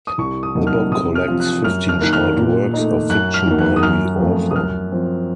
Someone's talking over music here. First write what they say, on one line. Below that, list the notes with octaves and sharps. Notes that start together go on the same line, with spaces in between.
The book collects fifteen short works of fiction by the author.
D#6
C2 C#6
D#6
C3 F#3 A#3 D#4
F6
C3 D#6
F6
F3 C4 F4
F#6
F#2 F6
F6
D#3 A#3 F#6
F6
A#2
A3 D#4
F#2 F#6
F6
D#3 F#3 A#3
F#6
D#6
F#2 F6
F3 A3 C4 F4
D#6
F#2 F6
F3 C4